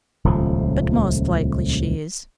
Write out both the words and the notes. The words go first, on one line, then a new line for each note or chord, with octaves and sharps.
But most likely she is.
D#1 C#2 A2 F3